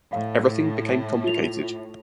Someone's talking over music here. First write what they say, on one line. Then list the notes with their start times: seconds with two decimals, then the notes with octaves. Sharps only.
Everything became complicated.
0.13 A2 F5
1.24 F4 F7